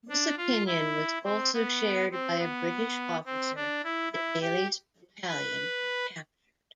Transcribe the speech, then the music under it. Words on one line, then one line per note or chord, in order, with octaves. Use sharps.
This opinion was also shared by a British officer that Daly's battalion had captured.
D4
F4
E4
C4
B3
C4
B3
C4
D4
E4
E4
G4
B4